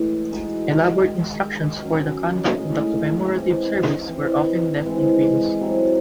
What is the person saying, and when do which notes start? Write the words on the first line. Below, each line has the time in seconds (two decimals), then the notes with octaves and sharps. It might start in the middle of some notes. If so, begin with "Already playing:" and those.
Elaborate instructions for the conduct of the commemorative service were often left in wills.
Already playing: A2 E3 G#3
0.30 E3 G#3 D#4 F#4
1.05 D#3 G#3 D#4
1.81 D#3 F#3 C#4
2.57 A2 G#3 D#4
3.33 E3 G#3 C4
4.08 E3 C4 D#4
4.85 E3 G#3 C4
5.61 C3 F#3 C4 E4